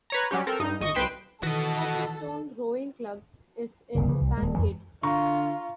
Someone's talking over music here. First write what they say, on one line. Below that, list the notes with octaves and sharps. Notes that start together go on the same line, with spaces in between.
Folkestone Rowing Club is in Sandgate.
B4 C#5 A#5
F#3 G3 C#4 G4
C4 A4 A#4
G2 D#4
G#1 D#5 C#6 D#6
C2 B4 G5 C6 E7
D#3 E3 F#4 A4 D#5
F#1 C2 C#3
C#3 E3 F3
C2
D#1 G#3
F2 E3 G#3
D3 F4 A#5 C#6